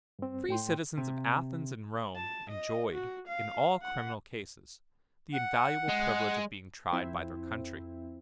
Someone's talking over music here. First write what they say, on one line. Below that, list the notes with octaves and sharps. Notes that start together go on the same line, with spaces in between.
The free citizens of Athens and Rome enjoyed, in all criminal cases, the invaluable privilege of being tried by their country.
G2 C4
A2 G5 C6
C3
A5
D#5
F#4
F5
F#5
F#5
G#3
F2 C4 E4